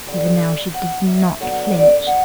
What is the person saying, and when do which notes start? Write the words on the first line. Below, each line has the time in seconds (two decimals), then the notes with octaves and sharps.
Even now she did not flinch.
0.07 E2 D3 G3
0.74 F#5
1.07 E5
1.40 G2 D3 F#3 B3 C#5
1.73 D5
2.07 F#5